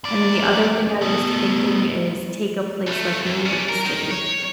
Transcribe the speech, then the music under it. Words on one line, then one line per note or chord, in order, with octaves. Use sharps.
And then the other thing I was thinking is, take a place like New York City-
E2 D5
A3 B3
C2 A3
F#2
C#4 D4
A#4
D#3 D#4
C#5